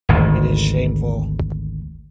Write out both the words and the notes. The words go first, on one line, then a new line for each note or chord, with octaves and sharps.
It is shameful.
G#1 D2